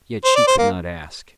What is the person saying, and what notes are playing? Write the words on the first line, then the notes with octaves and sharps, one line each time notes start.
Yet she could not ask.
C5
D5
C5
A#3